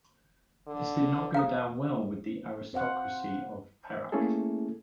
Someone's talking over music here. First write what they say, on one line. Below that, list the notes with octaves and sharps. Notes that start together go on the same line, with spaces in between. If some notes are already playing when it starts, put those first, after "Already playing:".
This did not go down well with the aristocracy of Perak.
D3
F5 A#5 D#6
C4 C5 F5 F#5
A3 A#3 C#4 E4 G#4 A4